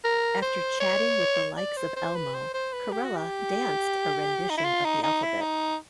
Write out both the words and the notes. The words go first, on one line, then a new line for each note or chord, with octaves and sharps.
After chatting with the likes of Elmo, Corella danced a rendition of the alphabet.
A#4
C5
C#5
D5
C5
C5
B4
C5
C5
B4
G4
F#4
G4
D#4
E4
F4
D#4
D#4
E4
D#4